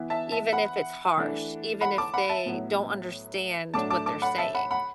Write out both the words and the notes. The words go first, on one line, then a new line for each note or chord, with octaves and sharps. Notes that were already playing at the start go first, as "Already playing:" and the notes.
even if it's harsh, even if they don't understand what they're saying.
Already playing: E3 B3 E4
E5 A5
E5 A5
F#5 B5
E3 A3 D4
F#5 B5
A5 D6
F#5 B5
E5 A5
A2 F#3 B3 E4
A2 F#3 A3 D4 A5 D6
A5 D6
A5 D6
F#5 B5
E5 A5
F#5 B5
F#5 B5